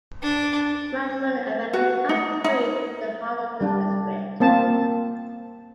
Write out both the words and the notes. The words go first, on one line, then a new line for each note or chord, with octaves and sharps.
Madison Avenue cuts through the heart of this district.
D4
F#4
D#4
D#4
G3 D4
A#3 C4 A5